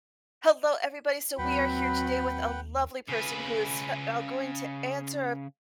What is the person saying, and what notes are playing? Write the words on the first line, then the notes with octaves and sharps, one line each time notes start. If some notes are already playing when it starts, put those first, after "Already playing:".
Hello, everybody. So, we are here today with a lovely person who is, uh going to answer a
D#2 F#3 C4 B4 F#5 G5 B5
C#3 B4